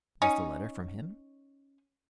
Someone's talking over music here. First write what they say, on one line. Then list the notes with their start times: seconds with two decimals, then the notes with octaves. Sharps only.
"Was the letter from him?"
0.22 C#4 D#4